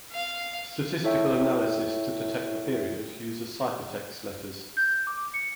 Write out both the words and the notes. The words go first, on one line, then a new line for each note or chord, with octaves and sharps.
Statistical analysis to detect the period uses ciphertext letters.
F5
E4 A4 C#5 E5 G5
G6
D6
C#7